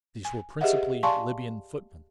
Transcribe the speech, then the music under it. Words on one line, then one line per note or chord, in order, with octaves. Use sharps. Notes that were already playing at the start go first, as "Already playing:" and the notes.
These were principally Libyan footmen.
G#5
G4 G#4 B4 D#5 E5 F#5
D5 F5 G#5 A5 C6 C#6